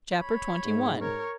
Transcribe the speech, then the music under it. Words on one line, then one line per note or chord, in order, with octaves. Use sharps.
Chap. XXI.
C#5 B5
G#2
A#4 C#5 C#6